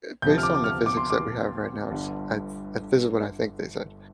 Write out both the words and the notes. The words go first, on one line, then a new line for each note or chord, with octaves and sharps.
Eh, based on the physics that we have right now, it's I th and this is what I think they said,
D2 C3 F3 G6
F6
D6
D6
F6
D6
C6
D6
G1 G2 D3